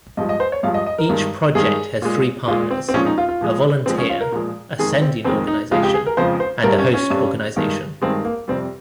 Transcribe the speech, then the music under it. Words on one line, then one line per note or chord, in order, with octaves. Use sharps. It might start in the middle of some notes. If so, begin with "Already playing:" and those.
Each project has three partners, a volunteer, a sending organisation and a host organisation.
G2 F3 G#3 D#5
D#5
C5
C#5
G2 F3 G#3 F5
D#5
D#5
A#4
G2 D#3 G#3
G2 D#3 G#3 G#4
A#2 G#3
A#2 G#3 F4
C4
C4
A#2 F3 G#3 C#4
D#4
F4
F4
A#2 F3 G#3
A#2 F3 G#3 C4
C#4
F4
A#4
A#2 F3 G#3
F2 D#3 G#3 G#4
C4
F2 D#3 G#3 C4
D#4
F2 C#3 F3 G#3 F4
G4
G#4
A#4
F2 C#3 F3 G#3 C5
C5
G2 G3 A#4
C#4
C#4
G2 G3
G2 D#3 G#3
G2 D#3 G#3 C4
A#3
F2 C3 G3 C4